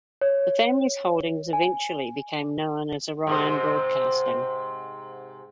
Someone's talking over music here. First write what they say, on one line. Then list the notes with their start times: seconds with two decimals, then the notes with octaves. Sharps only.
The family's holdings eventually became known as Orion Broadcasting.
0.21 C#5
1.53 G#5
3.27 G#2 C3 C5